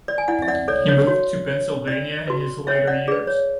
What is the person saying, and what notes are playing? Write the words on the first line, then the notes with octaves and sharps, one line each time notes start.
He moved to Pennsylvania in his later years.
D5
G#5
E4 D5 F#5
E5
D5 F#5
A4 C#5 D5
C#5
F#4 C#5
C#5
C#4 D5
F#4 B4
C#4 C#5 E5
D5 F#5
G#4 B4 D5
C#5